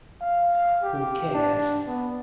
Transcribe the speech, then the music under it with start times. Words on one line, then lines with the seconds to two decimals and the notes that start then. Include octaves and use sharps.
Who cares?
0.21 F5
0.83 G4
1.33 D4
1.87 B3